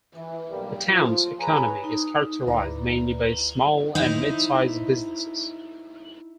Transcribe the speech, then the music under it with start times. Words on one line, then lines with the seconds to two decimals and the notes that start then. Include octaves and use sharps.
The town's economy is characterized mainly by small and midsize businesses.
0.15 E3
0.50 B1 G3 A#3
0.88 F3 F4
1.39 G#4 B4 C#5 G#5 A#5
1.84 D#4
2.47 D2 E4 B4 D5 A#5
3.95 D#4 E4 C5